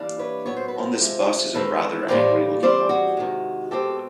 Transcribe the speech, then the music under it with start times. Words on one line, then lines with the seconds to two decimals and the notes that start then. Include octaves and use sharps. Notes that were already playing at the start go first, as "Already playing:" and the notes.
On this bus is a rather angry looking woman.
Already playing: E3 G3 A#3 D4
0.19 B4 C#5
0.46 A2 F#3 B3 C#5
0.57 C5
0.68 B4
0.78 A#4 C5
1.00 C3 F3 G#3
1.54 D#3 G#3 C4 A4 B4
2.08 A2 E3 G3 A#3 C5 D5
2.62 E3 G3 C4 C5 D5
2.89 F#4 G#4
3.17 C3 D#3 G#3
3.71 B2 G#3 C4 G4 A4